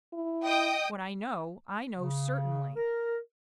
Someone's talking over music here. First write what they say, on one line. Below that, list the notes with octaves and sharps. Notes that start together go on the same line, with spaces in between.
What I know, I know certainly.
E4
D#5 G5 D#6
C#3
A#4